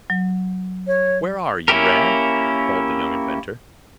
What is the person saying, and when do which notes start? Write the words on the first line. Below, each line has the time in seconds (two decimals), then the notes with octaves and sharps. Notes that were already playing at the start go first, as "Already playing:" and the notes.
"Where are you, Rad?" called the young inventor.
0.10 F#3
0.87 C#5
1.68 A#3 C#4 E4 G4 A#4